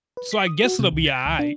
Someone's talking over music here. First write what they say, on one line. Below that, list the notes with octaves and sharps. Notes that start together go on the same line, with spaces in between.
So I guess it'll be aight."
B4
B6
D#6
F#4
C3
C2
A6
C#2
D4